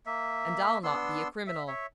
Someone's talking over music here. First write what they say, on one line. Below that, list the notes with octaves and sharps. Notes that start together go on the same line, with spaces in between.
And I'll not be a criminal.
A#3 E5
B3 D4 C6 E6
E5
C#5 E5